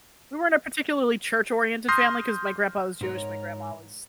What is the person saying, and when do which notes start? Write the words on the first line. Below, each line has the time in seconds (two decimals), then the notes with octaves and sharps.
We weren't a particularly church-oriented family 'cause my grandpa was Jewish, my grandma was
1.88 C6 D#6 F6 G6 A#6 C7
3.01 G#2 A#4 C#5